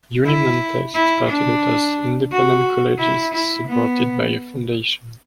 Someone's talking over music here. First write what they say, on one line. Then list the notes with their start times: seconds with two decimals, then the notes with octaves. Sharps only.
Unimontes started out as independent colleges, supported by a foundation.
0.25 E4
0.94 E4
1.28 D4
2.31 F#4
2.99 E4
3.33 E4
3.67 B3